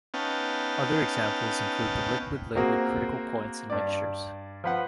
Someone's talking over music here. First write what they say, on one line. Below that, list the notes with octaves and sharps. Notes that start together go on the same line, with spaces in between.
Other examples include the liquid-liquid critical points in mixtures.
B3 C#4 D#4 F5 G5 A5
A#3 C4 F#4 G#4 A#4 C5
G2 D5
F3 B4 F#5